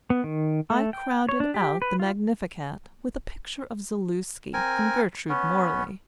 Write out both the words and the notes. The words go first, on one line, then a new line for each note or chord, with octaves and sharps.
I crowded out the Magnificat with a picture of Zaluski and Gertrude Morley.
B3
D#3
A3
G5
C#5
D4
G4
B4
F4
C4 A#4 G#5
B3 C#4